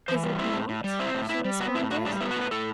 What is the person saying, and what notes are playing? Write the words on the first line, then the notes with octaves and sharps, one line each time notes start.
"Is it not?" she responded.
E3 C5
G3
C4 E4
A2
A2
G3
C4 E4
A2
A2 E4
G3
B3 F#4
A2 E4
A2 F#4
G3 D4
B3 E4
F#4
A2
B4
A2 A4